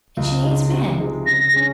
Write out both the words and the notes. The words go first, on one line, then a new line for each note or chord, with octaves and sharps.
And she hates men!
C#2
C#3 G#3 D#4
C3
F3 G#3 D#4
C#3 A#6
G#3 C#4